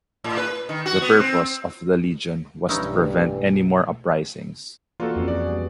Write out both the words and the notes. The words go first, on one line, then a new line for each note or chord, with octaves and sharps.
The purpose of the legion was to prevent any more uprisings.
A2
B4
D#3
F#4
B3
C4
B1 G2 E3 A3 C#4 D#4 E4
E3 A#3 F4 F#4 A4 D5
F2 C4 C#4
F#4 G#4 D5
G3 B3